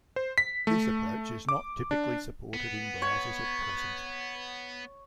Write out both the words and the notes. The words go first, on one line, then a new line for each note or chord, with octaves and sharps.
This approach is not typically supported in browsers at present.
C5
B6
A3
D6
D4
B3
C#5